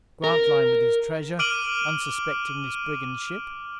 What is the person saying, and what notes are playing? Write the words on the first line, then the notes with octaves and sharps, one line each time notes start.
Grantline with his treasure, unsuspecting this brigand ship.
A#4
D6 F6 D7 D#7 F#7 G7